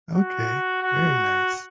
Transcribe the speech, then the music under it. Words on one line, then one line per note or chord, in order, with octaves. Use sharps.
Okay, very nice.
F#4
F#4